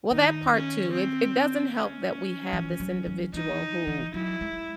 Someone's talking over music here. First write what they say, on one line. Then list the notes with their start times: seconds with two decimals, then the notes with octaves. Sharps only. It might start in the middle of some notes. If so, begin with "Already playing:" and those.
Well, that part too, it it doesn't help that we have this individual who
0.11 D#3 D#4
0.52 C#4
0.92 C4
1.72 C#4
2.53 E3
2.80 F#3
3.07 F#3
3.34 E3 D#4
3.87 E3
4.14 F#3 E4
4.41 G#3